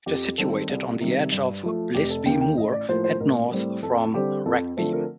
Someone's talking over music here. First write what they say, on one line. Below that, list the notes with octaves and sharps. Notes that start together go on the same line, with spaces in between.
It is situated on the edge of Bleasby Moor and north from Wragby.
F2 G4
D#3 G3 C4 A4
C2
C3 D#3 G3
G2
F3 A3
F1 G4
A4
D#2 D#3 A#3 G5
G5
A1 D#5
D5
A2 F3 A#3 C5
C5
A1 A#4
A2 G3 C4
F2 A4
D3 G3 C4 G4
F2 A4
D3 F3 A3 C4 A4
A#4